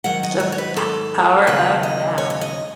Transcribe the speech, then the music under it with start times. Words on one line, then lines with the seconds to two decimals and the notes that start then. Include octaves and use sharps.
The P Power of Now.
0.04 G#2 D#3 F#3 F#5
0.23 D#5
0.40 C#5
0.52 C#5
0.58 B4
0.77 A4
1.47 D#2 C#3 F#3 B4
1.83 D#5
2.18 C#5
2.30 C#5
2.41 D#5